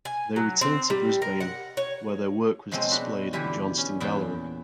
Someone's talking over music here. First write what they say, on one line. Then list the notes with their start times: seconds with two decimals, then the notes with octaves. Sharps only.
They returned to Brisbane where their work was displayed at the Johnstone Gallery.
0.05 G#5
0.36 F#3
0.61 C4
0.90 G3
1.22 A#4
1.40 F#5
1.77 C#5
2.72 B2 F3 F#3 G#3 C4
2.91 D4 F#4 B5
3.33 D3 E3 E4 F4 G4
3.78 C#4
4.00 E2 A#2 B3 G5 A5